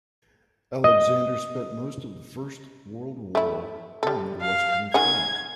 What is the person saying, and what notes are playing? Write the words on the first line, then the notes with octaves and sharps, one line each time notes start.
Alexander spent most of the First World War on the Western Front.
D#5
A3 E4
G3 A4
F5
D#3 G#4 F#5 G#6